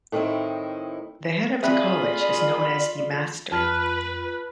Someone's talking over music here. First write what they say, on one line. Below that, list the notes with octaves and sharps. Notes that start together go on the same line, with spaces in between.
The head of the college is known as the "master".
A2 D#3 C4 D#4 E4
C4 F4 G#4 D5 E5 B5
F2 F4 B4 A5 F6